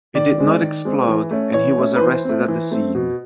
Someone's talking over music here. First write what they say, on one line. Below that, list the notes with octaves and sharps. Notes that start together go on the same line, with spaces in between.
It did not explode and he was arrested at the scene.
D#3 D5
G#3 C4
D#3
G#3 C4
E3
A3 C#4
E3 C#5
A3 C#4
B4
E3 C5
A3 C4
E3
A3 C4
B2